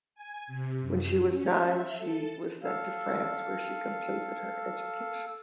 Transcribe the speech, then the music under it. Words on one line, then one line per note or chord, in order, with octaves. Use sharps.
When she was nine she was sent to France where she completed her education.
G#5
C3
F#2
C#4
E5
A4
A4 F5